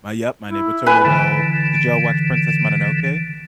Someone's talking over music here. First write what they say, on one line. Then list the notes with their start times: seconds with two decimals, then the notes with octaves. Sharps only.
My Yep, My Neighbor Totoro. Did y'all watch Princess Mononoke?
0.49 E4
0.86 B4 G#5
1.05 D3 E3